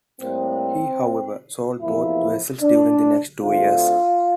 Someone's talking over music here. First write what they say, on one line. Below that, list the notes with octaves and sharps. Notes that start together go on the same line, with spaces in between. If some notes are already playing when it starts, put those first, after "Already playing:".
He, however, sold both vessels during the next two years.
A2 G3 A#3 C4
E2 C3 F3 A#3 E4
D4
D2 D3 A3 C4 F4